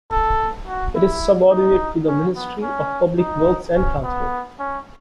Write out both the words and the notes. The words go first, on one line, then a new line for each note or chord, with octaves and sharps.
It is subordinate to the Ministry of Public Works and Transport.
A4
F#4
E4
D#4
C#4
B3
C#4
D#4
C#4
B3
C#4